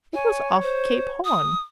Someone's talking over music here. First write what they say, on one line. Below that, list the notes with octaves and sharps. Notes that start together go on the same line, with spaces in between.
It was off Cape Horn.
C#5 G#5
C5
D#6